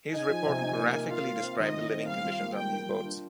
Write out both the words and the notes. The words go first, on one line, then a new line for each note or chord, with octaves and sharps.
His report graphically described living conditions on these boats.
D#4 G#5
F3
C3
D#4
A#3
A#3
F4 F5
F4
C4
D#3 D#5
D#3
C4
G3 F5
F4
A#3
G3 G5
A#4
F4
D4